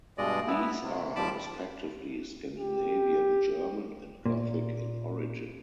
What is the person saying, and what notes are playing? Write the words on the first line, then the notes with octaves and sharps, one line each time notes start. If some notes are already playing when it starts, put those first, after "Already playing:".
These are, respectively, Scandinavian, German, and Gothic in origin.
G2 B2 G#3 D5 D#5
B3 E4
C3
D#2 F3 G3 A5 B5 D6
G4
A#2